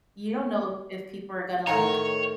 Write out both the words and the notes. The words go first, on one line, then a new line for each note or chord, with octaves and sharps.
You don't know if people are gonna, like,
A2 D#3 C#5 F#5 A#5